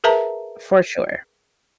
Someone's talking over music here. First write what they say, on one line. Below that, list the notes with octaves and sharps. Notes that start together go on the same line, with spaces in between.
For sure.
G#4 A#4 B4 E5 A5 A#5